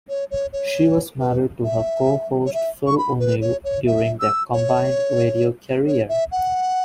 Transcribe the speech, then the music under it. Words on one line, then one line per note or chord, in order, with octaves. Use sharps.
She was married to her co host Phil O'Neil during their combined radio career.
C#5
C#5
C#5
B4
E5
C#5
E5
C#6
B5
B4
C#5
C#5
E5
E6
C#5
C#5
E5
F#5